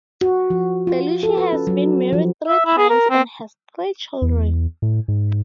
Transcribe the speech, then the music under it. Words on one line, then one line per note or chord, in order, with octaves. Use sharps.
Belushi has been married three times and has three children.
F#4
F3
F4
A4
B4
C#4
F#3
F3
E5
E4
G#4
A#4
C4
E2
A2
G#2